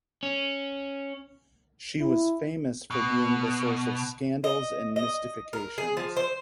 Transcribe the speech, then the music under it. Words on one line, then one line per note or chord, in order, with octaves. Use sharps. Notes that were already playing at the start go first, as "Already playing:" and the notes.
She was famous for being the source of scandals and mystifications.
C#4
E4
B2
D#5
D#5
A#4
G#4
F3
C5